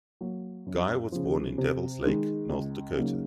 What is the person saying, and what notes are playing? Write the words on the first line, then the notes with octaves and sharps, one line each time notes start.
Guy was born in Devils Lake, North Dakota.
F#3 A#3
F#2
C#3 F3
C3
D#3 G#3 D#4
C#2
C#3 F#3 A#3 D#4